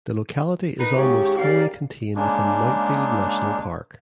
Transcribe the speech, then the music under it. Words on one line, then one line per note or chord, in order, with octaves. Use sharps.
The locality is almost wholly contained within Mount Field National Park.
D#4 B4
G#2 C#3 G4 C#6
C#3 G4 A#4 D5 F5
C#3 G#3 A#3 D4